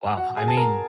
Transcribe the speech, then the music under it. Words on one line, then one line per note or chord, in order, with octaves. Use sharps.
Wow, I mean,
F#4 F#5
G#4 G#5
A5
A#4 A#5